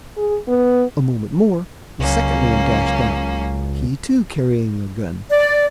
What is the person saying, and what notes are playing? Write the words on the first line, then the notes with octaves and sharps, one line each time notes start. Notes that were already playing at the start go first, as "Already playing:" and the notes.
A moment more a second man dashed out, he too carrying a gun.
G#4
B3
C#2 F#3 A#3 C#4
D5